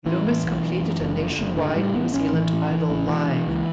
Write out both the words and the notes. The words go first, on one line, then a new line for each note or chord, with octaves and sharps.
Lummis completed a nationwide New Zealand Idol Live!
A2 E3
A2
B1
B1
F#2
F#1
D3
F#1
A2 D3
A2 G3
A1 B3
A1 C#4
A2 E3
A2
A1 E3
A1
B2 E3
B2
C#2 E3